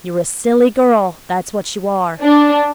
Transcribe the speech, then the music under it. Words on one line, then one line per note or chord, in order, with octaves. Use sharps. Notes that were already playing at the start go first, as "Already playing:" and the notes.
You're a silly girl, that's what you are!'
D4